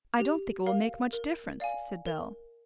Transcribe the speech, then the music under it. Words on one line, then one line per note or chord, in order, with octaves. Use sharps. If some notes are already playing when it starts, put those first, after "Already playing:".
"I don't think it will make much difference," said Bell.
G4
A#4 F5
A#4
D5 F5 G#5
A#4